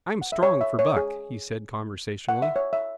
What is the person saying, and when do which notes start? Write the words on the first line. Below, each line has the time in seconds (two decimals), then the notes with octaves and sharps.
"I'm strong for Buck," he said conversationally.
0.21 F#5
0.32 E5
0.43 C#5
0.61 E5
0.79 C#5
0.96 G#4
2.29 F#5
2.42 E5
2.56 C#5
2.73 E5